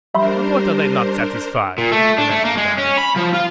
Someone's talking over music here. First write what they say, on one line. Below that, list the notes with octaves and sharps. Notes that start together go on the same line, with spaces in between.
"Of what are they not satisfied?" demanded the Baron.
G3 D4 A#4 C5 E5 B5 C6
A#2
A3
D4
A3
A#3
G#3
C#4
B5
F3
F4